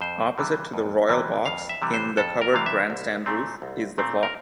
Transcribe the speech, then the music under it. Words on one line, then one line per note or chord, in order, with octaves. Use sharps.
Opposite to the Royal Box, in the covered grandstand roof, is the clock.
F2 C5
C3 E3 G3
F2
C3 E3 G3
F2 F5
E5
C3 E3 G3
C5
F2 A4
A#4
C3 E3 G3 F5
E5
C2
A#2 A3 C4
C2
A#2 A3 C4
A#4